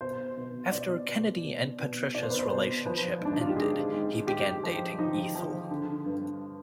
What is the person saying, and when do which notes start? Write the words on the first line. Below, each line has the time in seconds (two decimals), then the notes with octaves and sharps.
After Kennedy and Patricia's relationship ended, he began dating Ethel.
0.01 B2 C5
0.37 B2
0.72 B2 D5
1.08 B2
1.44 B2
1.80 B2
2.15 B2 D5
2.23 C5
2.30 B4
2.39 C5
2.51 B2
2.86 F3 B4
3.21 G#2 D4
3.33 D#4
3.41 F4
3.49 G4
3.56 G#2 G#4
3.93 G#2
4.27 G#2 G4
4.63 F3
4.99 F3 D#4
5.35 F3
5.71 D3
6.06 G2